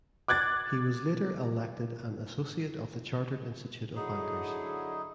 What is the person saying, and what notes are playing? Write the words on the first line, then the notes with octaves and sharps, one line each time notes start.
He was later elected an Associate of the Chartered Institute of Bankers.
D6 F#6 G#6 A6
D3 F#3 D#4 E4 G#4